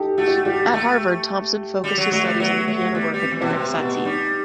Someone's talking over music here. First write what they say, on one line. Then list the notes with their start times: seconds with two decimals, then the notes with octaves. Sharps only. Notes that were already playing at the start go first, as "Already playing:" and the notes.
At Harvard, Thomson focused his studies on the piano work of Erik Satie.
Already playing: D#4 G4 A4
0.18 A3 F#4
0.27 G4
0.36 F#4
0.45 G3 G4
0.73 A3
1.84 G3 F#4
1.98 F#3
2.12 F#3 A3
2.26 G3
2.40 F#3 B3
2.67 F#3 A3
2.95 G3 B3
3.14 G3
3.23 C4
3.32 E3
3.41 B2 B3
3.50 C3 C4
3.78 B2 B3
4.05 G3 D#4